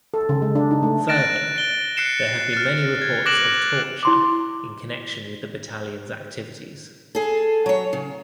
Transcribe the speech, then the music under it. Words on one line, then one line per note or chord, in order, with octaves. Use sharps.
Further, there have been many reports of torture in connection with the battalion's activities.
A4
C#3
G#3
D4
D#4
A3
F#6 A6 A#6 D7 E7
D7 G7
F#6 C7 C#7 E7
F6 A6
G#6
D6 F#6 A#6 D7 E7 F#7
E4 C6 D6
G#4 A4
F#3 C#5
C#3